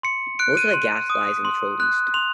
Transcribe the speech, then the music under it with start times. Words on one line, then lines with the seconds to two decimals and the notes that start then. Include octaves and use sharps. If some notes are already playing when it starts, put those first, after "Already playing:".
Most of the gas lies in Troll East.
0.03 C6 C#7
0.39 F#6 D7
0.57 D#7
0.74 C6
1.10 D#6
1.45 C6
1.80 F#6
2.14 C6 F7